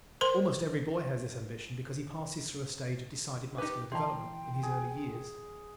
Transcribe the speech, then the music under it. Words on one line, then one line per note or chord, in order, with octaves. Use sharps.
Almost every boy has this ambition because he passes through a stage of decided muscular development in his early years.
A#4 C5 C6
D#4 G4 B4 D6
E3 E4 G5 A5 A#5 C6
G#4